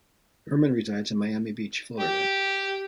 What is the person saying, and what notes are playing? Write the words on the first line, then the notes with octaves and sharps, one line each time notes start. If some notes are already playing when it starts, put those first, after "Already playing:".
Herman resides in Miami Beach, Florida.
G4